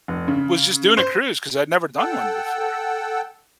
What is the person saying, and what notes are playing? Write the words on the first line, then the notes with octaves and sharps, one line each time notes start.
was just doing a cruise 'cause I'd never done one before.
F1
C#3
C5
A4 F#5 G5 E6